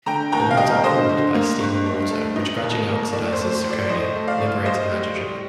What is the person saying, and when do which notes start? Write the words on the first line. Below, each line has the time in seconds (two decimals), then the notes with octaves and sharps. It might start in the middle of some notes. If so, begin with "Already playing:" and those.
The rods are cooled by streaming water which gradually oxidizes zirconium, liberating hydrogen.
0.06 D3 G5 A#5
0.32 D#2 G5 A#5
0.51 F5
0.57 G3 D#5 G5
0.83 D3 C5 D#5
1.09 D3
1.34 A#3
1.60 G2
1.86 G2
2.11 A3
2.36 D#4
2.62 D#2
2.88 A#3
3.12 A2 D5
3.33 C5
3.38 A3
3.51 C5
3.63 A2
3.70 D5
3.89 A2 C5 D#5
4.15 A3
4.28 D5 F5
4.40 A2
4.65 G3 C5 D#5
4.92 G3
5.16 G3